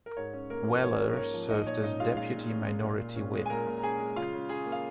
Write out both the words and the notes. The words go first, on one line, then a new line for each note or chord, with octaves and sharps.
Weller served as Deputy Minority Whip.
A#4
G#2 C#5
C#4
A#3 A#4
F3
G#2 C#5
C#4
A#4
A#3 C#5
F3
A#2 D#4 D#5
A#2 C#5
C#4 D#4 D#5
G#3 F4 F5
A#2 F4 F5
A#2
C#4
G#3
A#2
A#2
C#4
G#3
G#5
A#2 A#4 A#5
A#2
A#5
C#4 G#4 G#5
G#3
C#3 F4 F5
C#3
C#4 G#4 G#5
A#3
F5